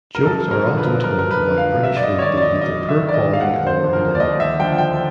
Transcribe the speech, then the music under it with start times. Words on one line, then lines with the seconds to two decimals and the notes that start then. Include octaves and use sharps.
Jokes are often told about British food being either poor quality or inedible.
0.15 A#4
0.25 F#2 A4
0.51 A#4
0.64 D3 F3
0.78 B4
1.04 F#2 A#4
1.19 A#4
1.31 B4
1.43 D3 F3
1.58 F5
1.83 F#2 E5
1.97 D5
2.03 D#5
2.19 C#5
2.22 D#3 D5
2.37 D5
2.42 D#5
2.62 F#2 D#5
2.89 E5
3.02 D#3
3.09 D5
3.14 D#5
3.33 F5
3.40 D#2 F#5
3.67 C5
3.80 D3 F3
3.93 A#4
4.15 D5
4.20 D#2 D#5
4.40 E5
4.59 D3 F3 G5
4.78 G5